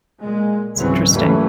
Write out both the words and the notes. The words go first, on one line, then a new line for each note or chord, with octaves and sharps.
it's interesting.
A#2 G#3
G#1 C#2 E3 F#3 C4 C#4
D#2 E3 F#3 G3 A3 C#4